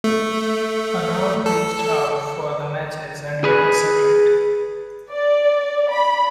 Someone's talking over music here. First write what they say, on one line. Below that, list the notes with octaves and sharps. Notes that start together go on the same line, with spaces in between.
Hanaud reached out for the matches and lit a cigarette.
A3
A4
G#4 B4
D5
B5